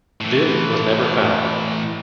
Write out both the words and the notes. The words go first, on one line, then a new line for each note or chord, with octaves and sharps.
Viv was never found.
A2 E3